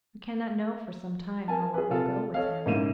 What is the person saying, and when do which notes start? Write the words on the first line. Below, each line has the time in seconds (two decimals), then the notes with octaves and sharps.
We cannot know for some time how it will go with him.
1.48 A#4 G#5 A5
1.74 G#4 B4
1.90 C3 F4 A4 A#4
2.34 A4 C#5 D#5 F5
2.66 G#2 C#3 A#3 E4 D#7 E7